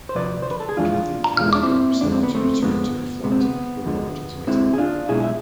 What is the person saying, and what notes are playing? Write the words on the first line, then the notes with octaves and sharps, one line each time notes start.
Cathy cannot bring herself to return to her flat, where Robert is waiting.
C5
D2 C3 F3 B4 D5
C5
B4
A4
G#4
F2 E3 G#3 D4 F4
E2 B2 G#3 F4
E4
D4
C4 E4
F2 D3 G#3 D4
C4
B3
A3 C4
F2 D3 F3 G#3 B3
D2 C3 G#3 B3
C4
B3
D2 D3 F3 G#3
D2 D3 G#3 C4 E4
G#4
D4 F4
B1 B2 G#3 E4 G#4
E5